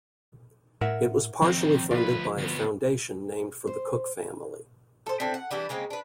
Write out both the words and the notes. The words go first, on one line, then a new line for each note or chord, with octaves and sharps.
It was partially funded by a foundation named for the Cooke Family.
A2 A#4 E5 F#5
D#3 F3 C4
D2 F4 B4 D5
D2 B3
C5
A4 C5
C4 D4 E4 A4
F#5
E3 G3 D4 E4
C#3 G#3 A#3 C4
D4 B4